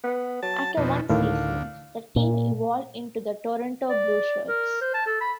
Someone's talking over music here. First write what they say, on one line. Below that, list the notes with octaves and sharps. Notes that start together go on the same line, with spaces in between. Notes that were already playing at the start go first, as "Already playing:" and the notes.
After one season, the team evolved into the Toronto Blueshirts.
B3
F#3 A5
F2 B2 D#4
D2 A2 D#3 F5
A#2
D5
A#4
C5
A5
A4
B5